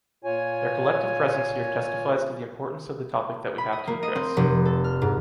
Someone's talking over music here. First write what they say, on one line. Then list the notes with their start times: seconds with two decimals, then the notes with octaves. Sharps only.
Their collective presence here testifies to the importance of the topic that we have to address.
0.24 A#2 F4 C#5 G#5
3.58 B5
3.73 D#5
3.87 A#3
4.03 D#5
4.16 C4
4.37 F1
4.65 A4
4.84 F6
5.02 G#2